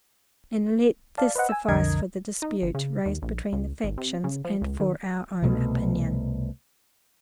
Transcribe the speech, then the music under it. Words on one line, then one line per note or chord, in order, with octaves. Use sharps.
And let this suffice for the dispute raised between the factions, and for our own opinion.
D5 F5 A5
B4 C5 D#5 F#5
G#5 E6
B1 F2 D3 A#4 D#5 G#6
D#4
G1
C#3
D#2
A#1
C#2
G#1
C3
C#3
F3
C#2
D#3
C2 B2 A3